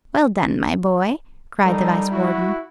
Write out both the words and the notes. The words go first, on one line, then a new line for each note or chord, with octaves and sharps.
"Well done, my boy!" cried the Vice-Warden.
G3 A#3 D#4 A4
E4 F#4